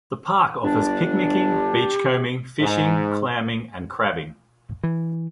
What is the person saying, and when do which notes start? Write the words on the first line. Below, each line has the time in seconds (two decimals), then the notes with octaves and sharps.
The park offers picnicking, beachcombing, fishing, clamming, and crabbing.
0.64 G1 D4
1.48 G4
2.59 G#2
4.83 E3